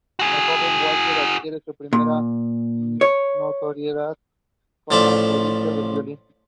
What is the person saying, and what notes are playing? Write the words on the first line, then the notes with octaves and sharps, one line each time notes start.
Many of the horses and donkeys bred are passed on to farmers and breeders.
F#4 G#4
A#2
C#5
A1 F3 A4 D5 E5 G5